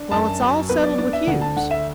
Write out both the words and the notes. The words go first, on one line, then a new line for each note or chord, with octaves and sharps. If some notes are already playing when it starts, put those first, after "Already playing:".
"Well, it's all settled with Hughes."
Already playing: D4
F#2 A5
F#3
B3 B4
D5
D4 D5
E5
D2 F#5
A5
D3 F#5
E5